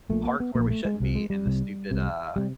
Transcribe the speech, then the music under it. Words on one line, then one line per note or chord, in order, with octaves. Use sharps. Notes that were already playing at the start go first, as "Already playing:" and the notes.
parked where we shouldn't be in the stupid, uh,
A#1 A#2 A3
A#3
B3
A#1 A#2 A#3
A3
G#3
C2 C3
G#3
G3
C2 C3
C2 C3
C3 G3